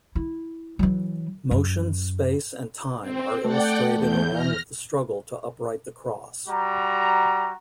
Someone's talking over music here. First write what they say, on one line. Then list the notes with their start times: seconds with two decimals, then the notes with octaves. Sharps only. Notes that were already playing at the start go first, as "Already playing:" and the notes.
Motion, space and time are illustrated along with the struggle to upright the cross.
0.15 E4
0.79 E3 F#3
1.51 F#2
3.01 C4
3.45 A3 D5 F#5 G5
3.94 E2 G6
4.32 E3 F6 A#6
6.47 G3 F#4 A#5